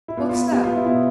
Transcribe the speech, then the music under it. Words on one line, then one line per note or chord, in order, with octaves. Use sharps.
What's that?...
E4
B3 F4
F4
B3
B3 G4
F4
B3
E4
B2 E4